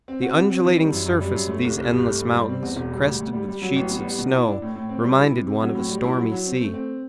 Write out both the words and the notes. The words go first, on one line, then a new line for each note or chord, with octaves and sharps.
The undulating surface of these endless mountains, crested with sheets of snow, reminded one of a stormy sea.
C4
F#4
C3
C4
E3
G3
F#2
F#2
G3
F#2
A3
C2
C2
G2
A3
G2
G3
C4
E2
E1
G3
D2
D2
G3
G3
F#3
A1
B3
G3
B2
E4
D4
A2
A2
C4
G3
E4
C3
C3
F#3
A2
G3
E4
F#3
F#3
C4
A3
C4